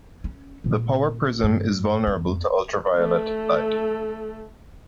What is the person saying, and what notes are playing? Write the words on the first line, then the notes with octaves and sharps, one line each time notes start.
The Power Prism is vulnerable to ultra-violet light.
C#4
A#2
G2
F2 B3
A3 A4